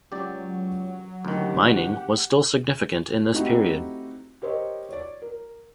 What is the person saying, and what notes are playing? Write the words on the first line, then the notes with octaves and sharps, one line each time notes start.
Mining was still significant in this period.
C#2 F#3 G4 D5
F#1 D2 D#3 G4 F#5
A3 C4 D#4 E4 F#4 G4
G4 A#4 C5 C#5 D#5
C#5 D5
A#4